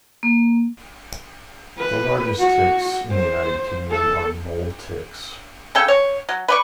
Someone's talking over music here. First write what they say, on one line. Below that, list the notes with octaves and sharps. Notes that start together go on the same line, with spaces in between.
The largest ticks in the United Kingdom are mole ticks.
A#3
B4
F#4
C5
A4
C#3 C#4 A4 G5
C#5
F#3
B4 D5 C#6